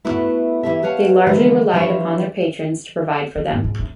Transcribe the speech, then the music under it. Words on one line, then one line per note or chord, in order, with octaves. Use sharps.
They largely relied upon their patrons to provide for them.
A3 B3 E4 F#4 A4
E3 F3 E4 G4 A4 E5
G4 B4 C#5 F5 F#5 A5
D3 E3 F3 G#3 A#4
E3 F3 G3 D4 F4 C#5
E3
G#2
G#2
A3